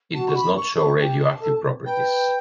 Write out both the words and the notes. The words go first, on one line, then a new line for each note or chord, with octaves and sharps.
It does not show radioactive properties.
F#4 A5
C#6
B5
C#6
C#6
G4 A5
A4
B4 G5